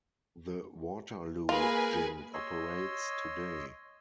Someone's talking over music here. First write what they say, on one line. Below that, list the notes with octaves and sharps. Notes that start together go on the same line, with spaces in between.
The Waterloo Gin operates today.
A#3 F4 G#4 A#4 B4 G#5
C#5 D#5 C6 E6